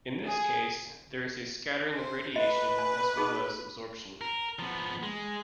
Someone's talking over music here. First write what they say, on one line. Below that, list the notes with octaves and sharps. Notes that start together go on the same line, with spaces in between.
In this case, there is scattering of radiation as well as absorption.
G#4
C5
B4 D#5
G#5
D#4 G#4
A#4
F3 B3
G#3